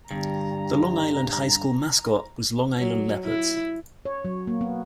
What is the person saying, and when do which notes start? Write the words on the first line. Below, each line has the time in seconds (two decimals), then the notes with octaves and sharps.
The Long Island High School mascot was Long Island Leopards.
0.11 G2 D3 G3 B3 A#5
2.78 F#3
3.25 E4
4.05 C#5
4.25 F#3
4.47 A#3
4.61 B3